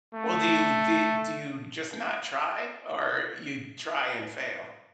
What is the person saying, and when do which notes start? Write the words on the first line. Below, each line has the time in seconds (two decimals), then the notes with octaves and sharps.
Well, do you d do you just not try or you try and fail?
0.14 A3